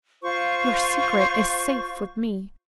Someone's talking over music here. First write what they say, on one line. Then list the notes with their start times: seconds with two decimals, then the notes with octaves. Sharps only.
Your secret is safe with me.
0.23 F4 C5 C#6